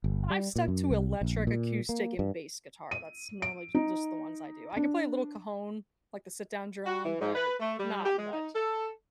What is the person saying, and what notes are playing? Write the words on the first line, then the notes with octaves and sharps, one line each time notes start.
I've stuck to electric, acoustic, and bass guitar. That's normally j just the ones I do. I can play a little cajon, like the sit-down drum, but not much.
G1
G3
A#2
F#2
C2
A#1
A#2
A#3
G2
D#7
D7
D#4
D4
F#4
E3
G#2
B4
A3
G3
G4
G#3
D#4
A4